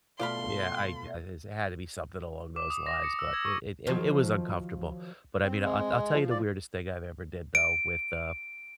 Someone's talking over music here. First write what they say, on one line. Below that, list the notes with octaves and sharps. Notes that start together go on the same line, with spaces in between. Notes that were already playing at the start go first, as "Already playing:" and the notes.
Yeah, I guess it had to be something along those lines, but it it it it was uncomfortable. But I mean, I'll I'll tell you the weirdest thing I've ever did though with the,
B2 A3 F4 D5 F5 B5 C6
D6
D#6
A#6
C#7
E6
G#6
C#6
D#3 F3 F#3
C4
G#3
F3
D5
D7